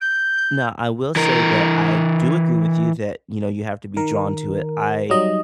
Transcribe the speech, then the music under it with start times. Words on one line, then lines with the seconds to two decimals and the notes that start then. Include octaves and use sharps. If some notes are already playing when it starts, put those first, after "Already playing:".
No. I will say that I do agree with you that, you know, you have to be drawn to it. I
0.01 G6
1.16 E3 A#4
3.97 D#3 A#4
5.10 F#3 G3 D#4 D#5